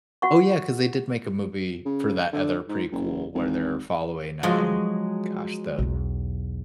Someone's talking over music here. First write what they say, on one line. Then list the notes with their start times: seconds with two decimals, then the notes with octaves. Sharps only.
Oh, yeah, 'cause they did make a movie for that other prequel where they're following, um, gosh, the
0.22 F#4 F#5 C#6
1.85 C#3
2.33 D3
2.68 G#2
2.91 F#1
3.35 G#1
4.43 F3 F#3 G#3
5.78 B1 E2